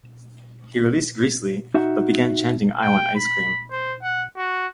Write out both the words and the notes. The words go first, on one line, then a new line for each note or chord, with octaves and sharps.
He released Greasley, but began chanting "I want ice cream".
D#4 F#4 E5 F#5
G5
B5
C5
F#5
F#4